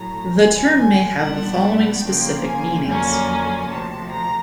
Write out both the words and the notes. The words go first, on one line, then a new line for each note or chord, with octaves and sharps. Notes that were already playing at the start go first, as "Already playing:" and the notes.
The term may have the following specific meanings.
Already playing: A2 F#3 A3 A#5
D#2 D3 F#3 G#5
G#5
A#2 G3 B3 D4 F#5
C#3 F3 A#3 G5
G#5
F2 D3 F#3 A#3 C#4 G#5
D2 C3 F3 A5
A#5